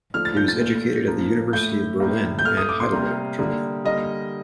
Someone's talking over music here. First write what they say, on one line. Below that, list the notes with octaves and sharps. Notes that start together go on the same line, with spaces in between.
He was educated at the University of Berlin and Heidelberg, Germany.
D3 F3 A3 F6
A6
G6
A6
A#2 A3
A#2 F3 A#3
A2 A3 G6
A2 G3 A#3
G6
A2 A3 F6
D#6
D6
C6
C3 G3 A#3
D3 G3 A#3
D3 G3 A#3 D#5